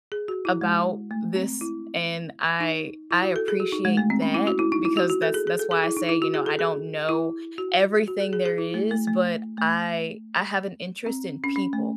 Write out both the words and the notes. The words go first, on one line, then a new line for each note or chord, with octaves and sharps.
about this, and I I appreciate that, because that's that's why I say, you know, I don't know everything there is, but I I have an interest in people,
G#4
F#4
E4
G#3
A3
C4
E4
D#4
E4
F#4
A4
G#4
F#4
D#4
G#3
A3
C4
C#4
E4
F#4
E4
D#4
E4
F#4
F#4
A4
G#4
G#4
A4
G#4
E4
D#4
E4
F#4
G#4
A4
G#4
E4
F#4
F#4
G#4
G#4
G#4
E4
A3
A3
A3
A3
C4
C#4
C#4
A3